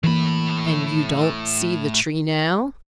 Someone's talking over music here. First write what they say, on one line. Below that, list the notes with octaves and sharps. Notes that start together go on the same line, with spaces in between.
"And you don't see the tree now?"
A2 E3 A#3 B5